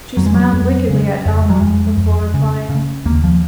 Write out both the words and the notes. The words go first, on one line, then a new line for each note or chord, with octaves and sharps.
She smiled wickedly at Alma before replying.
F2 F#3
G#3
F#3
F2
C#3
F2
F#3
F2 G#3
F2
C#3
C#3
D#2 A#3
F3